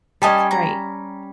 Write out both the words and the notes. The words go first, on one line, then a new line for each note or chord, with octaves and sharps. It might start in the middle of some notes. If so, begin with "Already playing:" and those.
that's great.
G3 C#4 D#5 G#5 A5
A#5